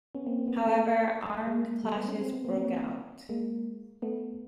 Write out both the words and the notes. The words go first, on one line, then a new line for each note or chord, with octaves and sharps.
However, armed clashes broke out.
B3 C#4
A#3 C4
C4
B3
A#3
A3 B3
G#3 A#3
G3 A3
A3 B3
C#4
C4
B3
A#3 C4
A#3 C4
G#3 A#3
A3 B3